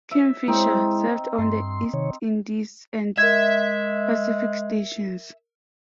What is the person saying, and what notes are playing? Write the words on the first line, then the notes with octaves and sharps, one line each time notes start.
"Kingfisher" served on the East Indies and Pacific Stations.
E5
G#3 C4 D#4 E4
G2 C6
C3 D#3 C#5
G#3 A#4 E5 G#6